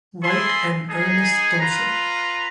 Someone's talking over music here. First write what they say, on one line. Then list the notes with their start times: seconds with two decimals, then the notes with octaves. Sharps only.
White and Ernest Thompson.
0.23 E4 G#4 A4 G#5 B5 C6
0.89 D#4 G#4
1.60 F4 B4 A#5